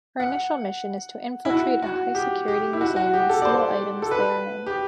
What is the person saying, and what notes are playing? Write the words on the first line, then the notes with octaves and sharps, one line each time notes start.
Her initial mission is to infiltrate a high-security museum and steal items therein.
F#5
E4
F#4
F#4
G4
G4
E4
F#4
F#4
G4
A4
D5
C5
A4
B4
G4